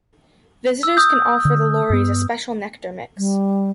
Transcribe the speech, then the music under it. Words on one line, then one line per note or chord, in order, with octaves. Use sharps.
Visitors can offer the lories a special nectar mix.
E6
D#6 G6
D3
G2 B3
G3